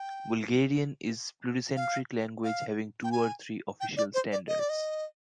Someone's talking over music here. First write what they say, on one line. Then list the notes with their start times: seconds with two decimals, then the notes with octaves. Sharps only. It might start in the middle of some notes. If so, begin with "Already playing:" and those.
Bulgarian is pluricentric language having two or three official standards.
Already playing: G5
1.76 F5
2.44 F5
3.04 G5
3.12 G#5
3.80 G5
3.97 D5
4.14 C5
4.32 D5
4.48 D#5
4.59 D5
4.69 D#5